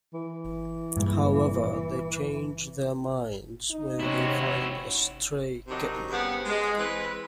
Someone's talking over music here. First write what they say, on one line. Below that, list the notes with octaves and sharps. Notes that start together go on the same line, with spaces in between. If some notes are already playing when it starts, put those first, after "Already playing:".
However, they change their minds when they find a stray kitten.
E3
G2 A#2 G#3
D#4
C3 C#4 E4 F#4
C3 D#3 F#3 D4 D#4
G2 C#3 B3 C4 F#5
G#3
E3 G#3 C4 B4